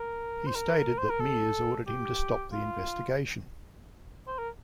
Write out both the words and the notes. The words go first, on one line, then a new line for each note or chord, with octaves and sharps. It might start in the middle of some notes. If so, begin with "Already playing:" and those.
He stated that Miers ordered him to stop the investigation.
Already playing: A#4
C5
A#4
C5
A#4
A4
G4
F4
C5
A#4